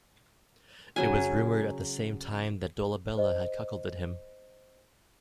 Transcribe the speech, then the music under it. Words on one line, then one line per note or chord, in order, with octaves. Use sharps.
It was rumoured at the same time that Dolabella had cuckolded him.
C#3 F#3 G#5
C5 D#5